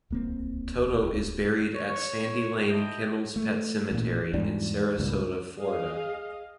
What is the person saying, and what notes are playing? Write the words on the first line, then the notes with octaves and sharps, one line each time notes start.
Toto is buried at "Sandy Lane" Kennels Pet Cemetery in Sarasota, Florida.
D1 C2 A#3 C4
C#5
E4 A4 D#5 G5
A3
A1 A#2
E2 G#2 G3 D4
C#2 G2 A#2
G#4 D#5 F5